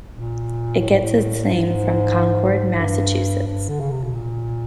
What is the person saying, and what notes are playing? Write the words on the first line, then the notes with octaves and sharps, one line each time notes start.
It gets its name from Concord, Massachusetts.
A#2
A2
G#2
A2
G#2
G2
G2
D3
C#3
C3
B2
A#2